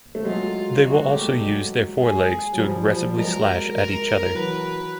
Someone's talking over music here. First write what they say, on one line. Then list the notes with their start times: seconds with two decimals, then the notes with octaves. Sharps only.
They will also use their forelegs to aggressively slash at each other.
0.15 A3
0.24 F#3 G#3 F4
0.83 F#3 G#3 F#4
1.07 G#3
1.12 G3 A3 G4
1.41 F#3 G#3
2.00 G#4
2.53 F#3
2.58 F3 G3
2.87 F3 G3
3.17 F#3 G#3 A#4
3.76 A#4
4.34 E3 F#3 B4